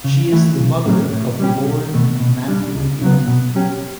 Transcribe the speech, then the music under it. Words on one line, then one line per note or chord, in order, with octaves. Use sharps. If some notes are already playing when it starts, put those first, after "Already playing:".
She is the mother of Lauren and Matthew Newton.
C#3
E3 A3 E4
B1
A2 F#3 C#4
A2
G3 C#4 G4
B1
B2 A3
B2
G3 D4
C#2
C#3 F#3 B3
B2
F#3 C#4 G4